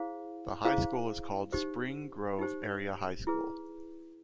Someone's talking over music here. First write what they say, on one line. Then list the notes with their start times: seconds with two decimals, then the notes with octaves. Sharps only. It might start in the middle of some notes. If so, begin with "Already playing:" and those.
The high school is called Spring Grove Area High School.
Already playing: E4 G#4 C5 F5
0.65 E4 G#4 C5 F5
1.52 D#4 G4 C5
2.39 D#4 G4 C5
3.27 E4 G#4 B4